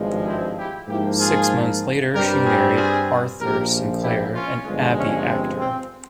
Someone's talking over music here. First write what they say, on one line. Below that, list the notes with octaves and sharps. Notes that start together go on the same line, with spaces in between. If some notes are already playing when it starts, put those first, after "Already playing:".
Six months later she married Arthur Sinclair, an Abbey actor.
Already playing: G#1 G2 F3 G#3
C4 E4
E4 G4
G#2 F3 A#3 E4 G4
F4 G#4
G2 G3 C4 G4 A#4
F4 G#4
F4 G#4
A#1 A#2 F3 G4 A#4
E4 G4
C#4 F4
G1 G2 F3 G#3
C#4
C4
C4